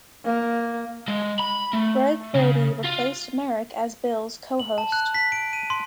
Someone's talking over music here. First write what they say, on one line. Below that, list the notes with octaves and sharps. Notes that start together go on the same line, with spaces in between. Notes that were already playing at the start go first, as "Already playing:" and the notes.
Greg Brady replaced Marek as Bill's co-host.
A#3
G#3
B5
A3
C#3
F4
F#7
A5
F#6
B6
D7
D#7
C6